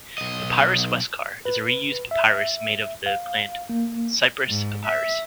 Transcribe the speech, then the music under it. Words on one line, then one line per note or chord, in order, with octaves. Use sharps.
Papyrus Westcar is a reused papyrus made of the plant "Cyperus papyrus".
B1 D#5
B4
E5
F5
A#3
G#2
E5